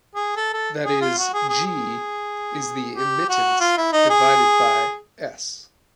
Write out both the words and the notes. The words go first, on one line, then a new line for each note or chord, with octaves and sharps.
That is, "g" is the immittance divided by "s".
G#4
A4
A4
G#4
F4
F#4
G#4
G#4
G#4
G4
F#4
F4
E4
D#4
G#4